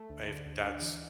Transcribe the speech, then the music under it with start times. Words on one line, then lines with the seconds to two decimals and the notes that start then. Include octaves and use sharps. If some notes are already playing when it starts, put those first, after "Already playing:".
If that's
Already playing: A3
0.10 D2
0.28 D3
0.46 D2
0.63 D4
0.81 E3